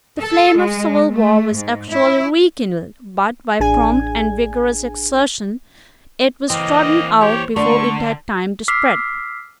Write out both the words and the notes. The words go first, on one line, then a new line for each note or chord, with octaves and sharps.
The flame of civil war was actually rekindled; but by prompt and vigorous exertion it was trodden out before it had time to spread.
A4
G#3
A3
G#2
E4
A1 D4 G#4 G#5 G#6
E3 A#3 C4 D#5
G4 C5 C#5
D3 A3 D4 D5 C#6
D6 E6 F6 B6 C7